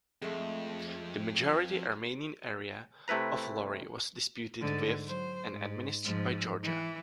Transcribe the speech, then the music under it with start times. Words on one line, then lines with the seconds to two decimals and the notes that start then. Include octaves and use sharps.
The majority-Armenian area of Lori was disputed with and administered by Georgia.
0.22 F2 G#3 A3
3.08 C3 A3 E4 B4 A#5
4.60 G#2 D3
5.05 F#3 C5
5.51 G#2
6.04 G#2 F3
6.63 E3